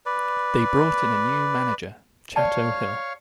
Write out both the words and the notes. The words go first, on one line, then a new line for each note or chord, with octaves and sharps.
They brought in a new manager, Chato Hill.
B4 D5
C#5 D5 F5 A5 C#6